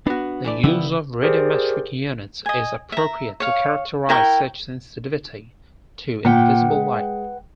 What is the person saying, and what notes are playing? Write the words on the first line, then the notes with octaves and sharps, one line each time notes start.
The use of radiometric units is appropriate to characterize such sensitivity to invisible light.
B3 D4 F#4
E3 A3 D5
C#3 E3 G3 B3 E4
G4 G#4 A#4 C5 D5
D#5 G#5
E5 A#5
C#5 F5
E4 A#4 G5 C#6
A#2 B4 F#5 G5
G#3